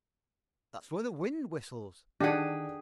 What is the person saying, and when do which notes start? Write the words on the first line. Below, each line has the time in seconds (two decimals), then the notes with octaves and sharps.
That's where the wind whistles.
2.21 D#3 D4 G4 G#4 F#5